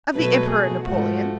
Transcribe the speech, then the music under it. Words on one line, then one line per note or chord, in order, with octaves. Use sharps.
Of the Emperor Napoleon?
B2 F#3 A3 B4
G#4
G#2 F3 A3 F#4